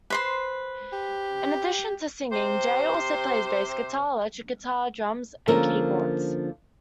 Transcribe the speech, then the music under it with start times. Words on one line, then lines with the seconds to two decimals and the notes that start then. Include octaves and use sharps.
In addition to singing, Jey also plays bass guitar, electric guitar, drums and keyboards.
0.10 B4 C5 C6
0.93 G4
2.32 C3 G4 C5
5.48 D3 F3 A#3 C#4 A#4